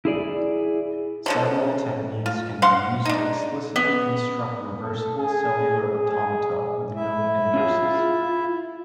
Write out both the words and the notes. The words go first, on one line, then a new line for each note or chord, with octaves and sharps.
Several techniques can be used to explicitly construct reversible cellular automata with known inverses.
E4 G#4 D5
D3 F3 F#3
F4
F5 F#5 C6
D4 D#4
B3
A4
G#4
G#4
E4 E5
C#4 F4 G#4
F4